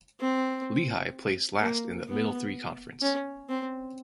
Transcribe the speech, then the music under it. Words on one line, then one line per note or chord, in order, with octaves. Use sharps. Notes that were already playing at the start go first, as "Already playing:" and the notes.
Lehigh placed last in the Middle Three Conference.
C4
A#3
B3
C#4
C4